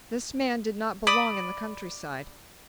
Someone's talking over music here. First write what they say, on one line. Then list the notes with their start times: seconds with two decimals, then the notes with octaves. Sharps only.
This man did not belong in the country-side.
1.07 D5 B5 D#6